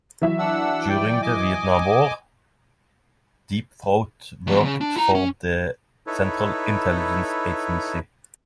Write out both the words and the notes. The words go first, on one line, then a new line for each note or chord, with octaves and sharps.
During the Vietnam War, Deep Throat worked for the Central Intelligence Agency.
E3 F#3 E5
D4 F#5 E6
D5 G5
D#5 G#5 D6
E2 F#3
E2 C#3
D4
E4 A#5
C#4
D#4 E4 A4 B4 C#5